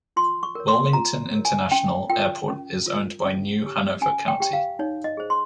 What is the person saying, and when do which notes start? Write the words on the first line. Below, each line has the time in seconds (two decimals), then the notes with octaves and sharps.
Wilmington International Airport is owned by New Hanover County.
0.16 F4 C6
0.43 C#6
0.55 A#4 C#5
0.68 C6
0.93 F4 A#5
1.33 A#4 C#5
1.45 G#5
1.71 C#4 G5
2.10 F4 A#4 G5
2.49 C#4
2.86 F4 A#4
3.25 C#4
3.63 G4 C#5
4.01 C#4 G#5
4.28 G5
4.40 G4 C#5 G5
4.53 F5
4.79 D#4 C#5
5.04 D#5
5.17 G#4 C5
5.30 C6